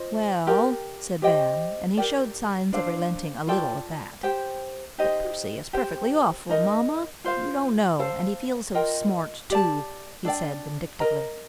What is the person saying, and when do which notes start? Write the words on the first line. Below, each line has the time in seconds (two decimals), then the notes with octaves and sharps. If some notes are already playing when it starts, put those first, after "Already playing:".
"Well," said Van, and he showed signs of relenting a little at that; "but Percy is perfectly awful, mamma, you don't know; and he feels so smart too," he said vindictively.
Already playing: F4 C5 D#5
0.47 G4 A#4 D5
1.22 G4 C5 D#5 G5
1.97 G4 A#4 D5 G5
2.72 D4 A4 C5 F5
3.47 F4 A4 D5 G5
4.23 G4 C5 G5
4.98 D#4 G4 C5 D#5
5.73 G4 C5 G5
6.49 D#4 A#4 D#5
7.24 F4 C5 F5
7.99 A4 C5 F5
8.74 F4 A#4 D#5 G5
9.50 G4 D5 A5
10.25 D4 A4 D5 G5
11.00 A#4 D#5 A#5